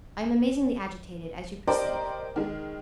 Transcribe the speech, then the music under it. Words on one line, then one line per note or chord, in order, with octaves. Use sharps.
I am amazingly agitated, as you perceive.
G4 A#4 C5 D5 D#5
D#3 G#3